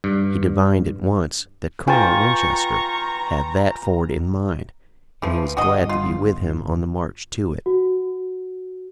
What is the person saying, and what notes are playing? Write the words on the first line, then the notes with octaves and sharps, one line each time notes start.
He divined at once that Colonel Winchester had that ford in mind, and he was glad to be with him on the march to it.
G2
F4 B4 G5 G#5 A#5 C#6 A6
E3 F3
G1 F#4 G#4 D#5
F4
F#4